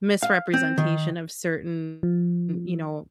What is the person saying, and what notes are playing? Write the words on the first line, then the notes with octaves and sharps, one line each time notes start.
misrepresentation of certain, you know,
F5
C4
D#3
F3